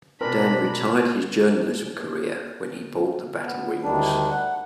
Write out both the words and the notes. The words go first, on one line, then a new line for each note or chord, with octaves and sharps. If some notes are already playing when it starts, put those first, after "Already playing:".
Dan retired his Journalism career when he bought the Battle Wings.
B2 G#3 C4 D4 A#4 A#5 B5
B3
D2 D#3 G3 D4
F#5